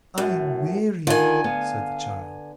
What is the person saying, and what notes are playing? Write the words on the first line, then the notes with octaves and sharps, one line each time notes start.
"I am weary," said the child.
F#2 A2
D3 D#3 F4 A#4 G#5
B3 F5